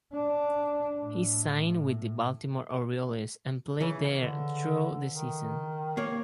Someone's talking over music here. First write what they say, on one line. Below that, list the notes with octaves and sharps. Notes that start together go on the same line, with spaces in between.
He signed with the Baltimore Orioles and played there through the season.
D4
A2
C#3 E3
D3
D#3
A#3 C#5